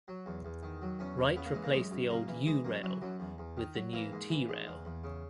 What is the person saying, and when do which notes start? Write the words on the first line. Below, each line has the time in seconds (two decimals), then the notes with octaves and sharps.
Wright replaced the old "U" rail with new "T" rail.
0.08 F#3
0.26 E2
0.45 E2
0.63 D#3
0.81 F#3
0.99 E2 C#4
1.18 E2
1.36 C#3 B3
1.46 A#3
1.54 E3 G#3
1.64 A#3
1.73 F#2 G#3
1.91 F#2
2.10 C#3 A#3
2.28 E3
2.47 E3 G#3
2.65 F#2 A#3
2.83 E3 F#3
3.02 F#2 F#3
3.20 E2
3.38 E2
3.57 D#3
3.75 F#3
3.93 E3 A#3
4.12 G#2
4.30 E3
4.49 G#2
4.67 E2
4.85 E2
5.04 C#3